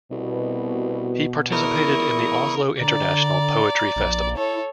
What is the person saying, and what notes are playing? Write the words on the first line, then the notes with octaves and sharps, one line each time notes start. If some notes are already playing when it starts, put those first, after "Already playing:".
He participated in the Oslo International Poetry Festival.
C2 B2
E2 E4 A#4 C#6 D#6
D3 D5 A#5
A#1
E4 A4 C#5